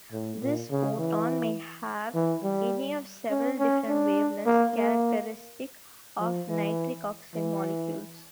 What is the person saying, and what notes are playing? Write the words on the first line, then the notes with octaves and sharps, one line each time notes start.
This photon may have any of several different wavelengths characteristic of nitric oxide molecules.
A2
A#2
C#3
E3
E3
G3
C#4
C#4
D4
A#3
A#3
F3
E3
E3